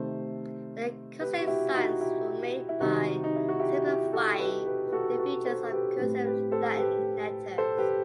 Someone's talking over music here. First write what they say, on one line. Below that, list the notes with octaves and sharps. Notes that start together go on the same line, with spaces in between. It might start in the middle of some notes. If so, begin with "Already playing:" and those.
The consonant signs were made by simplifying the features of cursive Latin letters.
Already playing: C3 D#3 A3 C4 A4 C5
G4 B4
F#4
E4 G4
D#4 F#4
E4 G4
E4
C3 D#3 G3 C4 D#4 F#4
D#4
E4
F#4
E4 G4
E4 G4
G4
F#4 A4
G4 B4
G4 B4
B4
F#4 A4
B4
F#4 A4
A4 C5
A4
G4 B4
A2 G3 C4 G4 B4
G4 B4
A4 C5
G4 B4
A4 C5
G4 B4